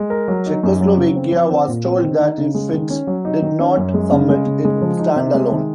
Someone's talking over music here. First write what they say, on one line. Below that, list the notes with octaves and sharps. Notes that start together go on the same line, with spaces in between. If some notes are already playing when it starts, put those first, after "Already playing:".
Czechoslovakia was told that if it did not submit, it would stand alone.
Already playing: G#3
A#4
F#3
D#4
F#2
F#3
C#3
C4
F3
C4
A#2
C4
D#3
D#4
C#3
G#3
D#3
C#4
F#3
D#4
D#3
C#4
F#2
G#3
C#3
G#3
C#3
G#3
F3
D#4
C3
G#3
D#3